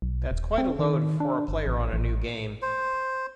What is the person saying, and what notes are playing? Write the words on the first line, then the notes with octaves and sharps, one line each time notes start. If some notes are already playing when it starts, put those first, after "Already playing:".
That's quite a load for a player on a new game.
B1
D#1
C4
D#3
D4
G1
A1
A1
C5